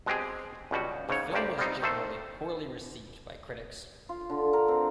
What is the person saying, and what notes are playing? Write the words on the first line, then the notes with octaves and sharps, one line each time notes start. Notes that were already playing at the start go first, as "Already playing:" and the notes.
The film was generally poorly-received by critics.
B2 G#3 C4 G4 G#4
C#2 B2 G3 F#4
G#2 C#3 C#5
D2 G2 A#3 G4 C5 D5
G3 B3 C4 D#4
D#3 A3 A4 C5
F4
D3
A#4
C4